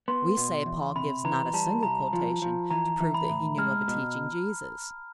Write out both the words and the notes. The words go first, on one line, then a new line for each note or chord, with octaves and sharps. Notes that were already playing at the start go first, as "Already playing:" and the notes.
We say Paul gives not a single quotation to prove that he knew of a teaching Jesus.
B3 C6
B2
E2
C3 B5
E3 A#5
G3 A5
C2 A#5
F3
F3
E3 A#5
E3
B5
A2
G#3 F6
B2